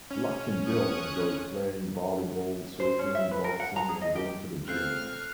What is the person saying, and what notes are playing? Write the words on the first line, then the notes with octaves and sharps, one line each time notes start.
Luckinbill enjoys playing volleyball, surfing, boxing and going to the gym.
C#4
C#6 D#6 F#6
C5
C#4
E5
B4
A#4
F#5
A#5
G#4
D#5
G4
C4 F4 A4 F6 F#6 C7